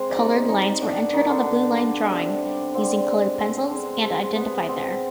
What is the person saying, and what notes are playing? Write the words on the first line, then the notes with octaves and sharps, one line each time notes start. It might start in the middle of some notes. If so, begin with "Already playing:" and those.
Colored lines were entered on the blue-line drawing using colored pencils and identified there.
Already playing: G#3 C4 C5
D5
C3 D#4 D#5
G3 D#4 D#5
B2 D4 D5
D#3 G3 D#4
D3 D4
B2
G3
C3
G3
D3 C4
G#3
B2 C4
G#3
G#3
C3 B3
B2 C4